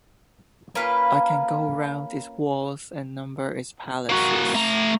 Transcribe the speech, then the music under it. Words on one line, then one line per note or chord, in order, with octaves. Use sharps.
I can go round its walls and number its palaces.
A#3 C#4 F4 B4
A#3 F#4
A3 A#5